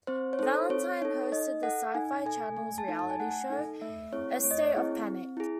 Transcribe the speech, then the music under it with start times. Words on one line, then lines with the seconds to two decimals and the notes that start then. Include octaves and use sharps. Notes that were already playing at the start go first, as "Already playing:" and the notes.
Valentine hosted the Sci-Fi Channel's reality show "Estate of Panic".
0.07 C4 C5
0.33 C#5
0.39 D#4 A4 C5
0.70 C4 C#5
1.02 D#4 A4 C#5
1.32 D#4 D#5
1.63 A4 F#5
1.95 D#4 G#5
2.26 A4 G#5
2.57 A3 G#5
2.78 A5
2.88 D#4 A4
2.99 A5
3.10 G#5
3.20 A3 F#5
3.31 G#5
3.50 D#4 A4
3.82 A3 E5
4.12 C4 E4 G#4 C#5
4.44 A3 C#5
4.51 D#5
4.59 C#5
4.75 C4 E4 G#4
5.06 C4
5.37 E4 G#4